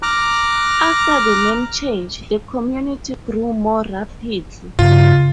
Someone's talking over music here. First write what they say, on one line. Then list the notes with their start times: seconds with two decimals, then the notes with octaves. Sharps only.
After the name change, the community grew more rapidly.
0.03 A#5 D6 F6 F#6
4.79 G2 C#3 F4